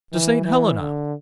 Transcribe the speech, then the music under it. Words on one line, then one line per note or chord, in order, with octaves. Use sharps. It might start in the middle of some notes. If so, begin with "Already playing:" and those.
"To Saint Helena."
E3
E3
D3